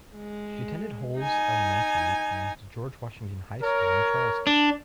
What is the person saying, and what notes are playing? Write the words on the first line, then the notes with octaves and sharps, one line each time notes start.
She attended Holz Elementary and George Washington High School in Charleston.
G#3
D#4 G#5
A#4 C#5
D4